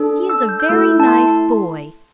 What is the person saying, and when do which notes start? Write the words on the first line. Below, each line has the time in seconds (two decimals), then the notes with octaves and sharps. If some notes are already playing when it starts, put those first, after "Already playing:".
He is a very nice boy.
Already playing: D4 A4
0.29 E6
0.49 G6
0.60 G6
0.69 A3 E4 A4 E6
1.00 A5
1.08 C6